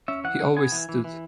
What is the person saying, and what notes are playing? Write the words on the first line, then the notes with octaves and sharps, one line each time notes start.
He always stood.
C#4 E5
E3 F#5
C#4
B3 G#5
E3
E3
E3